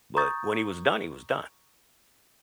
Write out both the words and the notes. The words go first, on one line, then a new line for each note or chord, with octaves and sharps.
but when he was done, he was done.
A#5 C#6 D#6 G6 A6